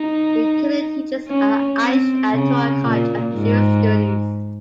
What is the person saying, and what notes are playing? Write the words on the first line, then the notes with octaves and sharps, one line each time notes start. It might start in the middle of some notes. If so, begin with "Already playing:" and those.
He currently teaches at Aish HaTorah College of Jewish Studies.
Already playing: D#4
C#4
C4
C#3
A#2
G#2